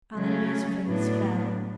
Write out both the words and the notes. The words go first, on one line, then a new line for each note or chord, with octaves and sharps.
Allenby's face fell.
C#3 F#3 A3 C#4
A2 F#3 B3 D4